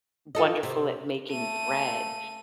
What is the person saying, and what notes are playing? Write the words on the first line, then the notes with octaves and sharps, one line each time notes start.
wonderful at making bread,
F4 A4 D#5
C3
A3 D#7